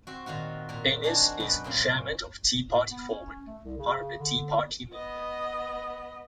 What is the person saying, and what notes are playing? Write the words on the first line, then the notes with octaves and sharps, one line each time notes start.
Innis is chairman of Tea Party Forward, part of the Tea Party movement.
C4 F#4
A#2 D#3 F4 F#4
A#2 A#4
C4 D4 D#4 F#4 G#4 A#4
F#2 B2 B4 B5
A#2 C#3 C4
A2
B3
C#4
A3
C2
C#3
D3
B3 D#5